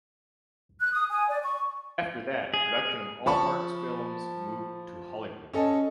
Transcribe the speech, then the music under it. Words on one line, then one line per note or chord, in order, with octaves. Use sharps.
After that, production of all Marx films moved to Hollywood.
F#6
D#6
G#5
D5
C#6
G#4
F3 A5 B5 C#6
C#4 A4 D#5